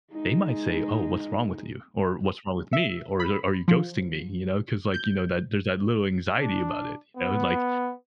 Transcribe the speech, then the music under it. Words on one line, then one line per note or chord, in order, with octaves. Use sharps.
they might say, "Oh, what's wrong with you?" or "What's wrong with me?" or i or "A are you ghosting me?" you know, 'cause, like, you know, that there's that little anxiety about it, you know, like
G#3 D#4
E5
B5
F3
G6
D4
B3